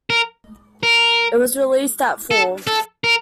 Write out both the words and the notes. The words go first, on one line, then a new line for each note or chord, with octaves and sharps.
It was released that fall.
A#4
A#4
A4
A4
A#4